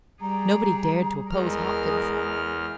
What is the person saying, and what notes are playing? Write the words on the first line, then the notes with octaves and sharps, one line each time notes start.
Nobody dared to oppose Hopkins.
G3 G#4 A#5
E2 G#3 A#4 F6